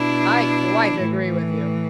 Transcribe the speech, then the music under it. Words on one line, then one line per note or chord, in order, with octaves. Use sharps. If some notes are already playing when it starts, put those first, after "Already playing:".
"I quite agree with you."
Already playing: B2 D4 E4
E3
A2